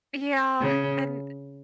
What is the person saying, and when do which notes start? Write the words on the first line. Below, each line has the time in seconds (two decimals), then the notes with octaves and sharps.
Yeah, and,
0.61 C#3